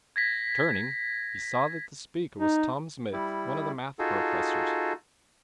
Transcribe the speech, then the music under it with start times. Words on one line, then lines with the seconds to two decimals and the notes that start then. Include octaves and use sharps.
Turning, he saw that the speaker was Tom Smith, one of the math professors.
0.16 G#6 A#6 B6
2.38 D#4
3.13 G3 E4
3.99 D#4 F4 F#4 G#4 A4